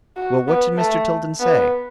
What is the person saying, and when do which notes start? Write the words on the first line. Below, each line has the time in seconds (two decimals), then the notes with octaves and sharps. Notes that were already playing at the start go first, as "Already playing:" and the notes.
"Well, what did Mr. Tilden say?"
0.16 F#4
0.48 B3
0.78 A3
1.40 B3